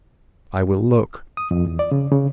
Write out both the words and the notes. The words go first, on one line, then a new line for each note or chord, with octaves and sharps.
I will look.
D#6
F2
E2
D5
C#3
C#3